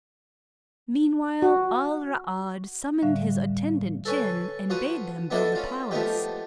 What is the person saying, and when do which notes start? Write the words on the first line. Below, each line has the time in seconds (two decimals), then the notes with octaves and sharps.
Meanwhile, Al-Ra'ad summoned his attendant Jinn and bade them build the palace.
1.42 F#4
3.02 A2 D3 G3 E5 F5
4.05 A4 B4 C#5 G#5
4.70 F3 F#4 B4 D#6
5.30 B3 D4 E4 A4 D#5 E5
5.55 C#4 F4
5.91 F3 A3 B3 D#4 G4